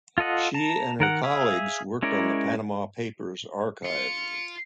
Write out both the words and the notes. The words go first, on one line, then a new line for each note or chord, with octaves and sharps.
She and her colleagues worked on the Panama Papers archive.
F4 A4 D#5 F#5
A5 A#5
D#3 A#4 F#5
G#4 E5 F5
G#3 C#4 E4 A#4 D5
F4 C#7